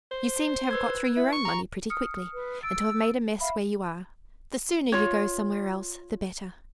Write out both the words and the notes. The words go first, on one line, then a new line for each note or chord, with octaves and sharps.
You seem to have got through your own money pretty quickly, and to have made a mess where you are; the sooner you go somewhere else the better.
C5
B4 E6 G#6
E4
C#6
A#5
D#6 F6 C#7
B4
E6 A6 D7
E5 F5 B5
F4 C#5